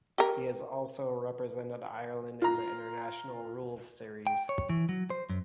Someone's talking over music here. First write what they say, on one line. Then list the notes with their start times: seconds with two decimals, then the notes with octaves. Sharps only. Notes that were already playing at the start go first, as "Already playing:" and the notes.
He has also represented Ireland in the International Rules Series.
0.18 G4 A#4
2.42 F4 A#5
4.27 G5
4.49 C#5
4.69 E3
4.89 F#3
5.10 C5
5.30 F#2